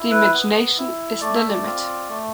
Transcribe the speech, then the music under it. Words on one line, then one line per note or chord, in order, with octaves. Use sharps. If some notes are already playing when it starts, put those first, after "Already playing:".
The imagination is the limit.
Already playing: E4
B4
B3
E4
A3 D5
E5
D5
C4 F4
A3